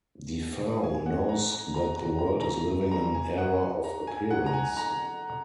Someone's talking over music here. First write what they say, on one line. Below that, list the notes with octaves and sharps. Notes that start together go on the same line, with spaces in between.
Defao knows that the world is living an era of appearance.
G#5
F#5
A#5
A#5
A#5
A#5
A#5
A#5
A#5
A#5
G#5
F#5
A#5
G#5
F#5
A#5
G#5
G#5
A#5